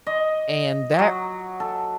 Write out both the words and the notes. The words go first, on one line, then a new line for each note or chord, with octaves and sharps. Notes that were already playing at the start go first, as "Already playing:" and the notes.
and that
D#5
F#3
A4